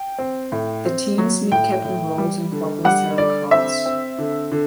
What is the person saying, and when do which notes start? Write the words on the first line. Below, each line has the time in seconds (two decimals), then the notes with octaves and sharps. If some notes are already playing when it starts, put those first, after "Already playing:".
The teens meet Captain Rhodes and Corporal Sarah Cross.
Already playing: G5
0.18 C4
0.52 A2
0.85 C4
1.18 F#3
1.51 A2 G5
1.85 A2
2.18 G3
2.52 D3
2.85 G3 F#5
3.18 D3 D5
3.51 C4 E5
3.86 C4
4.18 D3
4.51 D3